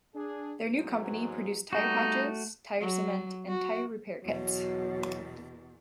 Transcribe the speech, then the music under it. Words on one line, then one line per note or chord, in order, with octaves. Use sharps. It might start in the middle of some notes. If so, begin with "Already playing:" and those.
Their new company produced tire patches, tire cement and tire repair kits.
D4 G#4
A1 G#2 F#3
G3 A3 D#4 F#4
F#3
F#4
E2 B2 F#3